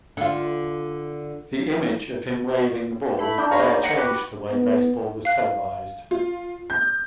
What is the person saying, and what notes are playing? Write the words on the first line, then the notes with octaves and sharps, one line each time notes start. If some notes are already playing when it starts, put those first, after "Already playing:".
The image of him waving the ball fair changed the way baseball was televised.
D3 F4
A3 E4 B5
D4 A#5 G6
A#3 D#4 G#4 C#5 F5 B5 A#6
F#5 A#6 C#7
F#4 G4 B4
B3
F5 F#6
F4
G6